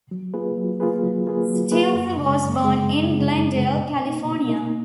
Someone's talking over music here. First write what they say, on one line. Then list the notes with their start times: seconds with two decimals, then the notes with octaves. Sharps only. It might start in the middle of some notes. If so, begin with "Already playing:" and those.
Stillwell was born in Glendale, California.
0.11 F#3
0.34 A#3 F4 G#4 B4
0.57 F#3
0.80 A#3 F4 G#4 B4
1.03 F#3
1.27 A#3 F4 G#4 B4
1.48 F#3
1.71 A#3 F4 G#4 B4
1.95 F#2
2.18 C#3 G#3
2.41 F#2
2.64 C#3 G#3
2.87 F#2
3.09 C#3 G#3
3.33 F#2
3.55 C#3 G#3
3.78 B2
4.02 A#3 D#4
4.25 B2
4.48 A#3 D#4